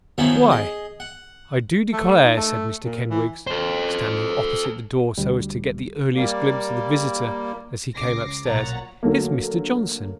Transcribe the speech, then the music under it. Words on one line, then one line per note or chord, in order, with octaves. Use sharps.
'Why, I do declare,' said Mr Kenwigs, standing opposite the door so as to get the earliest glimpse of the visitor, as he came upstairs, 'it's Mr Johnson!
D#3 F3 F#3 B3 C#4 E4
G#4 D#5
F#5
A3
D#4
A3
A#2
E3
A4 C5
D2 G3
G3 A#3
C#2 C#3 D6 A#6 C7
B1 A#2 C#5 F#5 A#5 A6
D3 F#3 A3 A#3